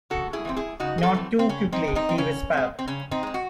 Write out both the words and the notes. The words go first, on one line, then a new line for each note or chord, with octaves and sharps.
"Not too quickly," he whispered.
C#3 F#4 A4
E4 G#4
E3 A3 C4
E4 G#4
C#3 D#4 F#4
G#4
F#4 A4
E3 A3 C4
C4
C#3 C#4
C4 D#4
C4
G#3
C4 D#4
C4
C#3 C#4
G#3 C4
C4
C#3 C#4
C4 D#4
G#3 C4
F#4